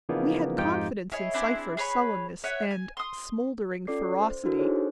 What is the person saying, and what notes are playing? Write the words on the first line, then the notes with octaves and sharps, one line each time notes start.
We had confidence in Cypher's sullenness and smouldering ferocity.
C#3 E3 F3 A#3 B3 D#4
F2 G#2 D#4 F4 G4 G5
E4 G#4 C#5 D#5
C4 D4 E4 G#4
G#4 B4 C#5 B5
B4 C#5 E5 F#5
G#5
C6 D#6
C#4 F4 A4 D5 D6 C7
C5
D4 E4 F#4 A4 A#4
D4 D#4 G#4 A4 C5 C#5